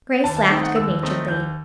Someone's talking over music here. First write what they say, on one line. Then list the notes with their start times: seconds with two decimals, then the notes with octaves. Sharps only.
Grace laughed good-naturedly.
0.24 D#2 A5
0.37 A5
0.50 D#3 A3 C4 D#4 G5
0.63 F#5
0.76 D#2 E6
1.02 D#3 A3 C4 D#4
1.28 D#2 G6